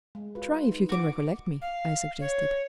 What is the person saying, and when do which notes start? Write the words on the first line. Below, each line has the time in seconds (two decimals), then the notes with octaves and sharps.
"Try if you can recollect me," I suggested.
0.15 G#3
0.35 F4 F#4 B4
0.67 D#4
0.89 F#4 D6
1.61 F5
2.20 C#5